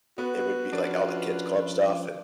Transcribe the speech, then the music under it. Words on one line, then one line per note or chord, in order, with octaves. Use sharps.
it would be, like, all the kids club stuff and,
B3 F#4 B4
F3 C#4 D4 F4 B4